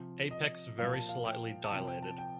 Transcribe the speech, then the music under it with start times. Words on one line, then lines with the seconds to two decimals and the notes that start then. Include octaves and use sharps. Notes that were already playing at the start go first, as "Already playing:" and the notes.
Apex very slightly dilated.
Already playing: C3 F3
0.31 D#5
0.78 A#2 F3 F5
0.93 A5
1.09 F5
1.25 G5
1.64 A5
1.71 C3 F3 G5
1.88 G5
2.03 A5
2.18 G5